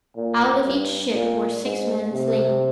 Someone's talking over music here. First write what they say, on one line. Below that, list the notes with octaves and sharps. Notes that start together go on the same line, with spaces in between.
Out of each ship were six men slain.
A#2
G2
A#2
G#2
C3